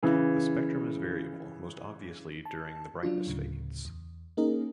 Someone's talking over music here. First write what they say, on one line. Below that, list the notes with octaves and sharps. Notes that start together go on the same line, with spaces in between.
The spectrum is variable, most obviously during the brightness fades.
C#3 E3
A5
F#3 D4 F4
D2 A2 C#3
E2
A#3 C#4 D#4 G#4 A#4 D#5